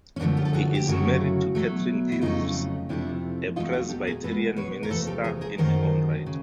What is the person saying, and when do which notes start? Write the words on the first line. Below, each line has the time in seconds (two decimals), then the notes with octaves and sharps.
He is married to Catherine Purves, a Presbyterian minister in her own right.
0.16 C#4
0.19 F#2 D3 F3 A3 C4 D4
0.37 F4 G4
0.45 A4
0.53 F#4 G#4
0.75 G4
0.87 F#2 C#3 F#3 A3 E4 F#4
1.55 B2 F#3 A3
2.12 E4
2.21 F2 C#3 F#3 A3 D#4 F4
2.89 F2 C3 F3 A3 D4 E4
3.56 E2 B2 F#3 A3 D#4 F4
3.73 F4 G4
3.89 G4 A4
4.07 G#4 A#4
4.23 B2 G#3 A4 B4
4.56 B4 C#5
4.83 A#4
4.90 E2 C3 F3 A3 A4 B4
5.07 G4 A4
5.24 G#4 A#4
5.41 G#4 A#4
5.58 F#2 D#3 F#3 A3 A#4 C5
6.26 C#3